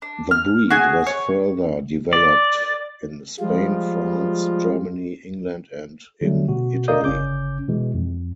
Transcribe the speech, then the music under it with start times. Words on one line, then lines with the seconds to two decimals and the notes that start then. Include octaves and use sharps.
The breed was further developed in Spain, France, Germany, England, and in Italy.
0.02 D4
0.31 F6
0.70 F#4 G#4 G#5
1.06 C#5
2.13 D5
3.40 F3 G3 G#3 F4
6.21 D3 F#3 G3 A3
6.48 B2 F#4
6.88 A#4 D5 D#5 F5 D#6 G6
7.04 G1 C#3 C#4 D6 G6
7.68 B2 E3 G#3
7.94 F2